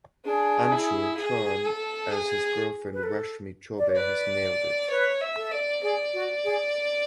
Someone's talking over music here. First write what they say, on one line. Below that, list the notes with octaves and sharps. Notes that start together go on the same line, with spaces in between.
Anshul Chauhan as his girlfriend Rashmi Chaubey has nailed it.
D4 G#4
E4
G#4
A4
G#4
B4
A4
D5
C#5
B4 D5
B4 C#5
E5
A4
D5
G#4 D5
F#4
G#4